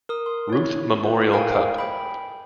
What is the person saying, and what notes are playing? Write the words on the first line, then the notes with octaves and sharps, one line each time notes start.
Ruth Memorial Cup.
A#4 D#6
C6
E4 C#5
F4 B4
G#4 A#4 C5 F5 G5 G#5
G5 B5